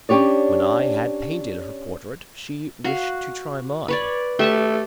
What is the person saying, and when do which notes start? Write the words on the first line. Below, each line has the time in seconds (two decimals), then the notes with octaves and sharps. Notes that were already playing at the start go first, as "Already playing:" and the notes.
When I had painted her portrait, she wished to try mine.
0.09 C#4 D4 G4 C#5 D5
2.84 F#4 F5
3.88 B4 C#5 D5
4.39 A3 G4 E5 A5